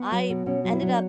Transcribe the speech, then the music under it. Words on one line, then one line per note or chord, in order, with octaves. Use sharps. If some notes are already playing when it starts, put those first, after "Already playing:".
I ended up
Already playing: B3
F#3
B2
B2 C#4
F#3
E4
F#3
D4